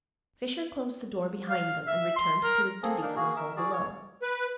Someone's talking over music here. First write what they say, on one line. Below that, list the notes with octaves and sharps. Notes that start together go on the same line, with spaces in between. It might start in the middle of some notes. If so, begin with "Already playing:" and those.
Fisher closed the door behind them and returned to his duties in the hall below.
F5
E5
C6
A#4
A#3 C4 G#4 A4
A#3 D4 D#4 A#4
A#3 F#4 G#4
A#4 E5
F#4 G#4 D5
C#5
B4